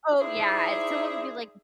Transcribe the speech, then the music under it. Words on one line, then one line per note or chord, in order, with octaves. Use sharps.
Oh, yeah, someone would be like
D#4 E4 G#4 C5 D5 E5